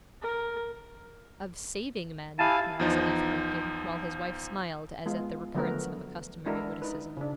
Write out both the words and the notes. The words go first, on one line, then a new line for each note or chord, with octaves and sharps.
'Of saving men,' Maxineff corrected, while his wife smiled as at the recurrence of a customary witticism.
A#4
E4 G4 F5 G#5 A5
E2 F3 D#4
G#3 B3 F4
D3 F3 F#3 A3 B3 A#4
G#3 D4 E4 F#4 A4 A#4
D#4 B4
C#3 D4